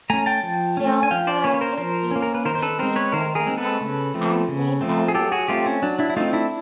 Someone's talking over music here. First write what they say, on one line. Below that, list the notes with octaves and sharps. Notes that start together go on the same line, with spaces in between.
She also appeared in the movie "Think Like A Man", and played as herself.
A3 C#4 G#5 A#5
G5 A5
F3
A3 C#4
G#5
F3 F5 G5
C5 D5
A#3 C#4 B4 C#5
C#5
A#4 C5
F3 A#4 C5
A#3 C#4
A#4
B4
D#3 A#4 C5
C5
A4 B4
G#3 C4 A#4 C5
B4 C#5
D#3 A#4 C5
G#4 A#4
G#3 C4
A4 B4
C#3
F3 A3 C4
C#3
F3 A3 C4
G#4
F#3 G4 A4
F#4 G#4
A3 C4 F4 G4
C#4
F#3 D4
D4 E4
E4
A3 C4 D#4 F4
D4 E4